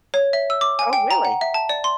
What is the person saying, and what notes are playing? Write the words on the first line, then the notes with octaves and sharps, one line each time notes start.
Oh, really?
C#5
E5
E6
D6
G#5
G5
A#5
F#5
E5
A5
D5
C6